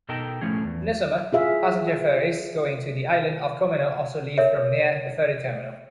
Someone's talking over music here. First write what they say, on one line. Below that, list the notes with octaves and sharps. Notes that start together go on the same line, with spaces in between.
In the summer, passenger ferries going to the island of Comino also leave from near the ferry terminal.
B2 D#4 A4 A#4 G5 A5
A2 F3 A3 C#4 G#4
E2
F4 G#4 E5 F5
A#4 C#5 E5